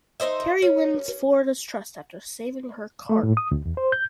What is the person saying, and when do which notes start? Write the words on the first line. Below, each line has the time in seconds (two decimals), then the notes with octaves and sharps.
Carrie wins Flora's trust after saving her cart.
0.20 D#4 C5 D#5 E5
0.62 C#4
3.09 A3
3.23 A2
3.37 D#6
3.51 D2
3.65 E2
3.77 C5
3.92 G6